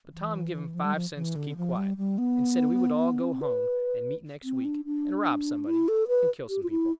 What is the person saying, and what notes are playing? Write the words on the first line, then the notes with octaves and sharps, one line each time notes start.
But Tom give him five cents to keep quiet, and said we would all go home and meet next week, and rob somebody and kill some people.
E3
F3
G3
F3
E3
D3
F3
G3
G3
B3
C4
B4
C4
D4
D4
E4
A4
B4
G4
F4
E4